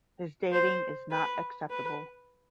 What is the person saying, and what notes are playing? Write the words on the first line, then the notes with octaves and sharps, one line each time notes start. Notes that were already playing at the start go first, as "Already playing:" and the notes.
His dating is not acceptable.
C5
B4
B4